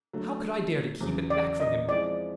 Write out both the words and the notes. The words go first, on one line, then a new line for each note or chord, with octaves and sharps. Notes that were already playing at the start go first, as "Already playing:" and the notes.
How could I dare to keep it back from him?
D3 F#3 A3
E2 C#3 F#3
D5
D#5
F3 G#3 C4 E4 D5